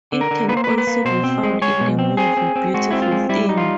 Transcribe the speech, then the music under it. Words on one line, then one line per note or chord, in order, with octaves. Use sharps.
It can also be found in the movie "Beautiful Thing".
D3
A#4
D3
A#3 B4
C5
A#3 B4
B4
A#3
B2 C5
C4
G#3
G#3 C#5
B2
C4
C4 G#4
C4
C4
G#3 F#4
C4 E4
F4
G#3
G3 E4
D#4
F4